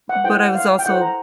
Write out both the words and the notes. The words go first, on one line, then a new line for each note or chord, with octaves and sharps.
but I was also,
F#5
E4 A4 C5 G5
F#5
F5
G5
E4 A4 C5 F#5
A#5